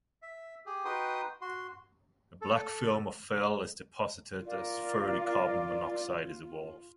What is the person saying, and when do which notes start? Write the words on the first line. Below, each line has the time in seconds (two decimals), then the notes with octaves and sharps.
A black film of FeI is deposited as further carbon monoxide is evolved.
0.22 E5
0.66 G4 G#4
0.85 D#4 F#4 B4 G5 C6 D#6
1.41 F#4 C6
2.42 A4
4.46 F4 A#4 D5 F5